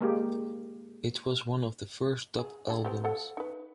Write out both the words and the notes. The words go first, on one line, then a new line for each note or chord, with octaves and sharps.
It was one of the first dub albums.
G#3 A#3 G4
G#4
D3 G#4 A4
B3 C4 G4
F3 A4 F#5
D#4 B4